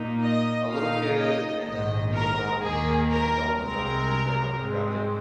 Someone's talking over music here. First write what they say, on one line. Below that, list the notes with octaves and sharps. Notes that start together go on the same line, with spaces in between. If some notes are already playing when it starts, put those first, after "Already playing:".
a little kid, and then even when I was an adult, I've done a pretty fair amount of traveling,
Already playing: A#2 A#3 D#4
D#5
A#2 A#3 D#4 F5
D#5
A#1 G#2 D#3 D#5
A#4
D#2 D#3 A#3 G#4
A#4
C2 C3 G#3 C4 A#4
G#2 G#3 C4